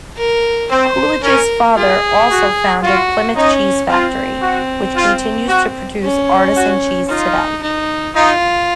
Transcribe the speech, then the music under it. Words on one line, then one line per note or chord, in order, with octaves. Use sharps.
Coolidge's father also founded Plymouth Cheese Factory, which continues to produce artisan cheese today.
A#4
C4 C5
C#4 A#4
F4 G#4
F#4
F4 F#4
C#4 D#4
C4 F4
F#4
F4
F#4
C#4
F#4
D#4 F4
D#4
D#4 F4